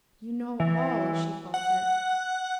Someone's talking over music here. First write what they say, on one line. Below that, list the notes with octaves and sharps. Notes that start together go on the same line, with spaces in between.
"You know all!" she faltered.
E3
F#5